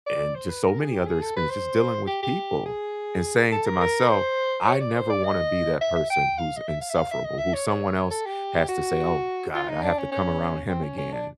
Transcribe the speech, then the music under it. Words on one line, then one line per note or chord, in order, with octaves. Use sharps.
and just so many other experiences, just dealing with people, and saying to myself, "I never wanna be that person who's insufferable, who someone else has to say, "Oh god, I have to come around him again."
D5
C5
B4
A#4
G#4
G4
G#4
A4
B4
C5
G4
G4
G#4
A4
A#4
A#4
C5
C#5
D5
C5
D5
D#5
E5
E5
G5
F5
D#5
E5
F5
E5
F5
E5
D#5
E5
C#5
C#5
A4
G4
F#4
F4
D#4
D4
C#4
C#4
C4
C#4
C#4
D4